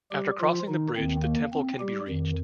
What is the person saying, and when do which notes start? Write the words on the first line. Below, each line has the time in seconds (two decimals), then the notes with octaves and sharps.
After crossing the bridge the temple can be reached.
0.11 G3 G4
0.39 F3 F4
0.67 D#3 D#4
0.96 D#2 D#3 C4
1.23 A#3
1.53 C4
1.80 G3 G4
2.08 F2 D#3